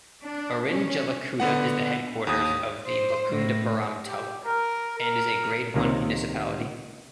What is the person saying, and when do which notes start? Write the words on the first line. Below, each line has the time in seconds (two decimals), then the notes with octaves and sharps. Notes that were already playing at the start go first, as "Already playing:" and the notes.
Irinjalakuda is the headquarters of the Mukundapuram Taluk and is a Grade-I municipality.
0.22 D4
0.66 C#4
1.40 D3 B3 F#5
2.27 D#2 D#6
2.86 C5
3.31 A2
4.05 G4
4.46 A#4
4.98 A#4
5.74 C#2 C3 D#3 A#3 D#5